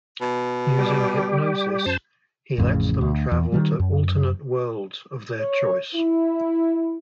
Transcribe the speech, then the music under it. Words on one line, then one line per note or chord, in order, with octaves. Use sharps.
Using hypnosis he lets them travel to alternate worlds of their choice.
B2
G3 G4
F#2 C5 A5
A1 F2 A2 C#3
D2
E2
D#3 F3 G3
F#2
C#5
E4